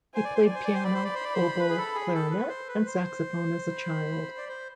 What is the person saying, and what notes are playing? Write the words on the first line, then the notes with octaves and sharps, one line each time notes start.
He played piano, oboe, clarinet, and saxophone as a child.
C5 G#5
D5
C5
D5
C5 G#5
D5
C5
D5 B5
C5
D5
C5
D5
C5
B4
G#4
A4
G#4
A4
B4
C5
B4
C5
B5
D5
C5